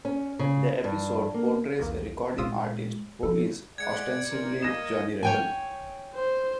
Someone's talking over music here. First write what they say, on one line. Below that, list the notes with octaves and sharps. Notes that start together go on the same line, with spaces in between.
The episode portrays a recording artist who is ostensibly Johnny Rebel.
C#4
C#3
G2
A#3
B1 E2 A#3
A#2 G#3 F4 D#6 E6
F3 A4
G#3 D5 F#5 G#6 C#7
E3 A#4 C5
A#3 D#5 A#6 E7
C#5 G5 G#5
C5